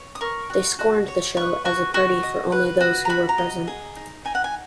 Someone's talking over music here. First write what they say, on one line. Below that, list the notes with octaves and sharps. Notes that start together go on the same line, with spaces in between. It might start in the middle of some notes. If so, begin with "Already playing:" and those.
They scorned the show as a party for only those who were present.
Already playing: C#5
D#6
A#4 C#6
F#4
F#4
C#5
B4 C#6
F#4 C#6
F#4 C#6
D#5
B4
F#4
A#5
F#4 B5
A#5
D#5
G#4
D#4
D#4 G#5
F#5
G#5